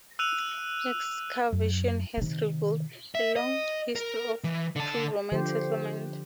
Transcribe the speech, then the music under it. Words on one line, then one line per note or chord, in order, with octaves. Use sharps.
Excavation has revealed a long history of pre-Roman settlement.
E6 F#6 D#7 F7
F#2
C3 D#3
E5
D#5
A#4
E3
D3 A5
D3 F3 G4 C5